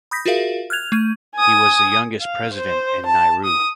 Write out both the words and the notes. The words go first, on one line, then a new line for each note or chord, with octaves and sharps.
He was the youngest president in Nauru.
B5 D#6 G6 A#6 B6
F4 F#4 G#4 A#4 E5 F5
F6 F#6 G#6 F7
A3 G#6 D#7
G#5 D#6
F5
C5
A5
D#6